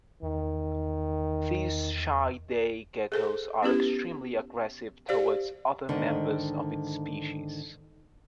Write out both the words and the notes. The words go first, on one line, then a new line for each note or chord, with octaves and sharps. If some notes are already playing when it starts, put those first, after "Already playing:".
These shy day geckos are extremely aggressive toward other members of its species.
E2 D#3
G#4 A4 C5
B3 C#4 E4 G4 B4
G4 C5 D5 F5
G#2 D3 D#3